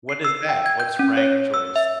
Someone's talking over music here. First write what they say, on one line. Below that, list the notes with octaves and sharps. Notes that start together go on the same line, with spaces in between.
What is that? What's "rank choice"?
C7
E6
G5
G#6
G6
C#4
C#5
E6
E5